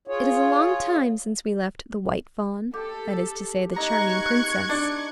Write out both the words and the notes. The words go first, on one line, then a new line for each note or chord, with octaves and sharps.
It is a long time since we left the White Fawn, that is to say the charming Princess.
F4 G#4 C#5
G4 A4
D#4 A#5 C#6 F#6 G#6
D4